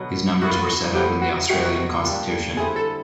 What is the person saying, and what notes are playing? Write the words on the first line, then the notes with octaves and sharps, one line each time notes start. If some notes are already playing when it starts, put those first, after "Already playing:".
These numbers were set out in the Australian Constitution.
Already playing: B2 D3 F#3 B3
F#3 B3 E4 F#4
F4
F#4
F#3 B3 E4 G4
F#4
C3 D#3 F#3 F#4
A#2 G3 A#3 D4
D3 G3 C4 E4 G#4
A4